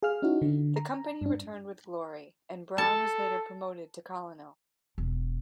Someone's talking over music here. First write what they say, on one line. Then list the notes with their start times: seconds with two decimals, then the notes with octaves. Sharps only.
The company returned with glory, and Brown was later promoted to Colonel.
0.03 G#4 F5 F6
0.22 C#4 D#4 E4 F#4
0.42 D3
0.76 A#5
1.21 G2 D4
2.78 A4 A5
4.98 E1